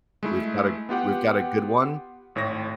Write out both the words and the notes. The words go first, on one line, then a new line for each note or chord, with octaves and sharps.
we've got a we've got a good one.
G#3 A3 E4
B3 F4 G4 F#5
G#1 A2 C#5 A#6